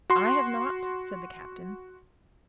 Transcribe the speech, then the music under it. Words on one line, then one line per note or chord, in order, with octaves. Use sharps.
"I have not," said the Captain.
F#4 C6